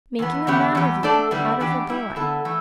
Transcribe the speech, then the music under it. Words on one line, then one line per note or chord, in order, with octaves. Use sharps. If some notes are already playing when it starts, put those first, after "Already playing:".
Making a man of you, out of a boy.
E2 E3 B3
E2 D3 B3 G4 E5
E2 E3 B3 G4
A3 D4 A4 D5
D3 G3 B3 E4
G2 E3 B3 D4 G4
G3 E4 G4
D3 B3 E4 A4
E3 A3